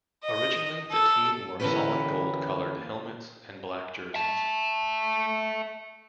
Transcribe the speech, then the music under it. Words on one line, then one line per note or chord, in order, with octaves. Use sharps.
Originally, the team wore solid gold-colored helmets and black jerseys.
D#5
A4
D3 E3 A#3 C#4 G4 B4
E5 A5